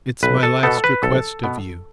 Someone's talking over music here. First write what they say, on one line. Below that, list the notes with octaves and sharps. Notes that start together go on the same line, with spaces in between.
It's my last request of you.
B1 B4
A4
B2 B3 A4
B4
B1 A4
B2 B3